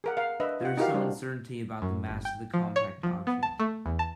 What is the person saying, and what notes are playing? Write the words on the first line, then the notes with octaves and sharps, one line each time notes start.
There is some uncertainty about the mass of the compact object.
G#4 A#4 F#5
A#4 F5
D4 B4 D#5 E5
F4 F#5
D#4 E4 F#4 G4 A#4 F5
G3 D4 C5
F#2
G1
G5
F3
C#5
F3
B3
A5
A3
E2
A5